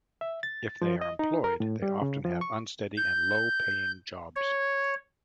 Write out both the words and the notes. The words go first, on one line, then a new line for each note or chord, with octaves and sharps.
If they are employed, they often have unsteady and low-paying jobs.
E5
A6
F3
D#5
D#4
A#4
A2
G3
C#3
F3
C#6
G6
C#5